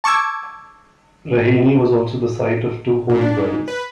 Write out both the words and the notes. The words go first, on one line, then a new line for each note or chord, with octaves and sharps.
Raheny was also the site of two holy wells.
A5 C#6 D6 E6 G#6
A#2
D4
G#2
B4